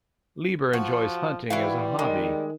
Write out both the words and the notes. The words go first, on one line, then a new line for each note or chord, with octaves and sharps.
Lieber enjoys hunting as a hobby.
F3 F#4
E3 G3 E4 F#4 F5
D#3 G#3